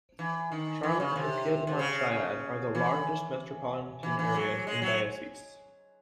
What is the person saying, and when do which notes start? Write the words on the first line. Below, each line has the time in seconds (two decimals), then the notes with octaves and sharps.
Charlotte and the Piedmont Triad are the largest metropolitan areas in the diocese.
0.19 E3
0.52 D#3
0.83 E3
1.00 C#3
1.16 C3
1.67 C3
1.79 C#3
2.11 C#3
2.75 E3
4.03 E3
4.19 E3
4.34 F#3
4.67 G#3
4.82 F#3